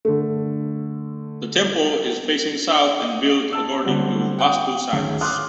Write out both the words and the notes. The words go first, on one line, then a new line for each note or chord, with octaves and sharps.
The temple is facing south and built according to vastu science.
D3 A3
D#5
A5 E6
D3 F#3 G3 C4 C#4
F#5 G5 D#6
D2 D#3 C#4 G#4
C6 D6 D#6 F6 F#6